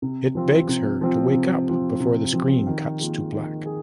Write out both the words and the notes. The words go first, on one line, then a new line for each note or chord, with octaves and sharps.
It begs her to wake up before the screen cuts to black.
C3
F3 C4 F4
C3
F3 C4 F4
C3
F3 C4 F4
C3
F3 C4 F4
D#3
A#3 F4 G#4
D#3
G#4